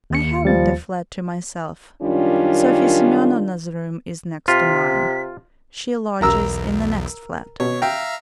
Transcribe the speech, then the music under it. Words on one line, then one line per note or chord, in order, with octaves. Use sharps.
I haven't a flat to myself; Sofya Semyonovna's room is next to mine--she lodges in the next flat.
D#2 C#7
F3 G3 A6
F#2 D#3 G3 C#4 D4 F4
C3 F4 B6
B1 E2 A#4 A#5 E6
B2 C#5
E5 F5 G5 A#5